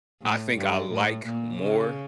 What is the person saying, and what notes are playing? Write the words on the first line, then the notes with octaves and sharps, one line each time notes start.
I think I like more
A2
G2
A2
A#2
C#3